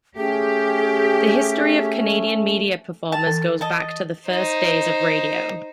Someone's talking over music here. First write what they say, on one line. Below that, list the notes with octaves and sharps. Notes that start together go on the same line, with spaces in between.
The history of Canadian media performers goes back to the first days of radio.
A3 C#4 G4 G#4
A5
E3
D#5 A5
D#4 C5